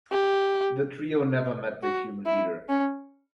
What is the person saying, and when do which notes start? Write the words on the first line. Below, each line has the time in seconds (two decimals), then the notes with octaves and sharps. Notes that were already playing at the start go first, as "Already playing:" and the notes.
The trio never met the Cuban leader.
0.12 G4
1.83 F#4
2.26 E4
2.69 C#4